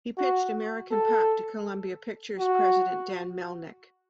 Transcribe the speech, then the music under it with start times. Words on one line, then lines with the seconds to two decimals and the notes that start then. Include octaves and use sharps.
He pitched "American Pop" to Columbia Pictures president Dan Melnick.
0.18 F#4
0.91 A4
2.40 F#4